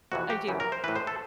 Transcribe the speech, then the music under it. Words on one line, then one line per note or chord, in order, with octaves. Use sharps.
I do.
F2 C3 E3 F#4
G4
F#2 C#3 E3
A#4
C5
A2 E3 B4
C5
A4